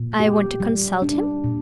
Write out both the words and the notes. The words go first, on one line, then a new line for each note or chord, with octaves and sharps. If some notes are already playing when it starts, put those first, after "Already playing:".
"I want to consult him?"
Already playing: A#2
G4
G3
D4
A#2